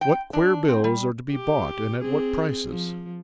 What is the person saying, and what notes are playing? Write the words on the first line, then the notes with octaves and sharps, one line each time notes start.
What queer bills are to be bought, and at what prices?
G5
D4
C4
G3
G4
C4 G#4
F3